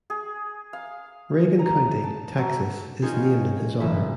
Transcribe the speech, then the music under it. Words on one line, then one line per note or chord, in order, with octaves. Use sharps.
Reagan County, Texas is named in his honor.
G#4
F5
A#5
A5
F#3
C4 C#4 D#4 F4 G#4 C#5
F#1 E3 E5